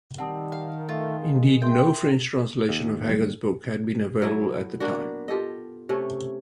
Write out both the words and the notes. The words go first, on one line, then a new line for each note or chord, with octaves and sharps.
Indeed no French translation of Haggard's book had been available at the time.
D#3 G3 C4 F#5 A5 D#6
F5
A3 F4
G#3
A#4 E5 G5 C6
D#2
G3
F#3 E4 A4
A#3 B3 D4 F#4
F4 G4 A4 D#5
C3 A3 C#4